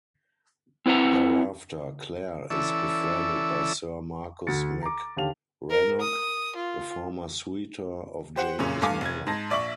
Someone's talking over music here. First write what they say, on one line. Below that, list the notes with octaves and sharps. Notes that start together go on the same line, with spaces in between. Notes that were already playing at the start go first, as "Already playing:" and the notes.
Thereafter Claire is befriended by Sir Marcus MacRannoch, a former suitor of Jamie's mother.
C4 E4 B4 F#5 A#5
E3 C#4 E4 A4 D5 E5
D2 F#4 A6 C#7
A#5 D6
D#2 D3 G4 F5 A5 F7
A#4
D#6
F4
G4 C5 F#5
F#2 A#2 C#3 C#4
G2 A3 F5 G#5 D6
F1 G#6
G#2 A5 A#6
A#1 D5 E5 C#6 F#7